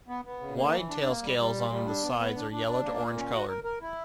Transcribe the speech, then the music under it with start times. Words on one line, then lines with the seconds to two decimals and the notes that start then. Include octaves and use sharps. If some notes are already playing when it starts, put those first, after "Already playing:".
The wide tail scales on the sides are yellow to orange coloured.
0.08 B3
0.25 B3
0.40 C#3
0.57 A#3
0.73 E3
0.89 D4
1.06 A#3
1.22 G3
1.38 G3
1.54 A#2
1.70 G3
1.86 D4
2.02 B3
2.19 B3
2.36 D4
2.51 D4
2.67 D4
2.83 A#3
3.00 A#2
3.17 C#4
3.32 F#4
3.48 A#4
3.64 A#4
3.81 E4